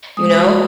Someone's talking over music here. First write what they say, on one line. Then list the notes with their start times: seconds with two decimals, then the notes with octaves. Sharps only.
you know?
0.17 G#3 D#6
0.37 F#4